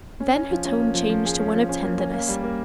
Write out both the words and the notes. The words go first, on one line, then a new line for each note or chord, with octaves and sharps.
Then her tone changed to one of tenderness.
C#4
C#4
F3
C#4
A#3
F3
F3
G#4
C#4
F3
C#4
A#3
C#4
A#3
G3
A#3